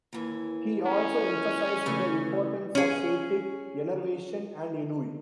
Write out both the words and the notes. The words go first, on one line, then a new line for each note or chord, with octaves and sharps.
He also emphasized the importance of "fatigue", "enervation" and "ennui".
D#2 E3
C#4
C#3 E3 A3
C#4 G#4